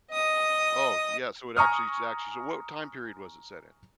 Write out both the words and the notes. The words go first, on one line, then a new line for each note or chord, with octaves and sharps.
Oh, yeah, so it actually it actually sh what time period was it set in?
D#5 D#6
G#5 A#5 C#6 D#6 F6